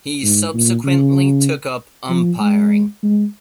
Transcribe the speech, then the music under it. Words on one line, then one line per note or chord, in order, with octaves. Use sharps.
He subsequently took up umpiring.
G#2
A#2
C#3
F3
G#3
G#3